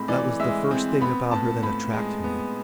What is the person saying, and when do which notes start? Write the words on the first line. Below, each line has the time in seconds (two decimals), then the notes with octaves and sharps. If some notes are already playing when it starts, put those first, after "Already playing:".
That was the first thing about her that attracted me.
Already playing: A2 G#3 C4 B5
0.08 E3 D5
0.40 G#3 E5
0.71 C4
1.01 B3 B5
1.31 A2 A5
1.62 A2 B5
1.93 G#3
2.24 B3